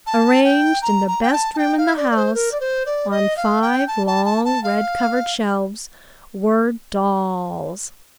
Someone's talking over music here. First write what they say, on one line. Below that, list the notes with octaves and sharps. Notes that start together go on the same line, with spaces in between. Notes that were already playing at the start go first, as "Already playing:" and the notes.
Arranged in the best room in the house, on five long red-covered shelves, were dolls.
A5
G5
A#5
A#5
G5
A5
A5
G5
F5
D5
D5
C5
A#4
D5
C5
D5
D#5
F5
G5
A5
A5
A5
A5
F5